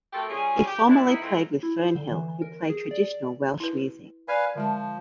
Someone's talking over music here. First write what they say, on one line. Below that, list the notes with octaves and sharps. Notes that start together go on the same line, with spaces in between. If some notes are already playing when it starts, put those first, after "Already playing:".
He formerly played with Fernhill, who play traditional Welsh music.
A3 C4 F#4 G4 A4 A#4
G3 C#4 F4 G#4
G4
E3 D4 E4
D#4 E4
G#2 G#3 A3 C4 E4 F4
E4
C5
D3
E3
A#4
G#4
D5
E4 B4
B4 D5 F5 G#5
D3 F3 G#3 A5